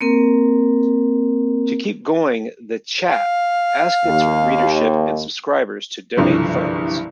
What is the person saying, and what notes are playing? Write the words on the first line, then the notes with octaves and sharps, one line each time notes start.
To keep going "The Chap" asked its readership and subscribers to donate funds.
A#3 C4 A#4
F5
D#2
F#1 C2 G2 D3 E3 F3